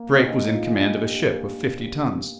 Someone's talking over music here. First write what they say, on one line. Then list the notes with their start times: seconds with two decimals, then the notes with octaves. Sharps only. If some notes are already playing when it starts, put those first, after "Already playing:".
Drake was in command of a ship of fifty tons.
Already playing: A#3
0.13 C#3
0.18 D#3
0.45 F3
0.66 G#3
0.72 G2 G3